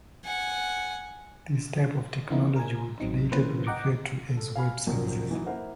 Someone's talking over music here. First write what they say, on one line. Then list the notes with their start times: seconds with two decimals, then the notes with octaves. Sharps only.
This type of technology would later be referred to as "web services".
0.25 F#5 G#5
2.30 D3 E3 B3 C4 D#4 E4
2.56 A#4 G#5
3.00 A1 F#3 C4 D#4
3.32 C#3 E3 A#3 C#4 B4 C5
3.67 D#5 F#5 G5 A#5 D6
4.37 A4
4.56 F5 G#5 B5 F6
4.87 C2 F#2 A#2 D#3 F3 F#3
5.31 E3 F#3 D#4
5.46 A#3 E4 A#4 C5 F#5